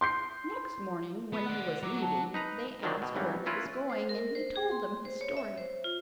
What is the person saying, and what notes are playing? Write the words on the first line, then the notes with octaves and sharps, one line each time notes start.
Next morning when he was leaving they asked where he was going and he told them his story.
C6 G6 C7
B3
D5 F#5
F#3 D6
A5
D#4 B4 A#5
D#3 F3 F#3 A3 D4
B2
G#1 G2 E3 F#3 G3
A#3 C#4 E4 F4 B4
C5
A#4
C5
G#4
C6
C5
C#5
E5
C5
F4